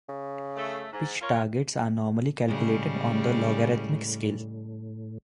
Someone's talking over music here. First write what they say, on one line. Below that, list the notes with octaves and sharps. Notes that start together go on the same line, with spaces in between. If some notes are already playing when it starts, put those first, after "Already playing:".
Pitch targets are normally calculated on a logarithmic scale.
C#3
A3
G#2
F4 A#4 C#5
A2 C#3 G3 G#3